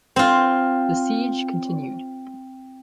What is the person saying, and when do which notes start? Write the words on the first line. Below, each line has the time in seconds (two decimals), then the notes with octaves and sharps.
The siege continued.
0.16 C4 F4